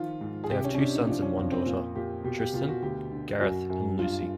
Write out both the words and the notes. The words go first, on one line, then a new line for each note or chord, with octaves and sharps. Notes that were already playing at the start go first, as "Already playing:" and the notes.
They have two sons and one daughter, Tristan, Gareth and Lucy.
Already playing: D#3 F3 F4
G#2
G#4
C3 G4
C#4
C#4
C3 D4
D#4
F3 D4
C#4
F2
C4
A#2
A#2 G4
B2 G4
G4
B2 F4
F#4
D2 G4
D3
F#2 F#4
F#2
G2 F4